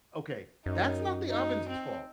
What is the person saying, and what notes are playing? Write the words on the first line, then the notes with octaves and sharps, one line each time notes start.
okay, that's not the oven's fault.
F#2 D#4
D#4
C4